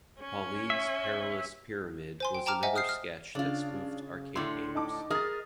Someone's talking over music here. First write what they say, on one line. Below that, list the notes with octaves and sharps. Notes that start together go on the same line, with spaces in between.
"Pauline's Perilous Pyramid" was another sketch that spoofed arcade games.
C#4
E5
C5 G#5 C6
G5
G5 A5 A#5 D6 F6
C5 D#5 E5 F#5 G#5
D#6 F6 G6 C7
F6
C#3 D4 F4
A2 D3 C6
D#4 A5 D6
G#4 A#4 D#5 F6 A6